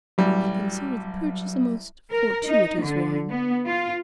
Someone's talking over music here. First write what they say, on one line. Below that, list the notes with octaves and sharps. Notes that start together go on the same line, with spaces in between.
I consider the purchase a most fortuitous one.
A1 F#3 G3
A#4
D#4
D3
B3
F4